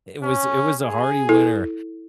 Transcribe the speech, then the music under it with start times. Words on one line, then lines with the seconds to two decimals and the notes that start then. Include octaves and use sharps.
it was it was a hearty winter,
0.23 C#4
0.81 G#4
1.29 E4 A4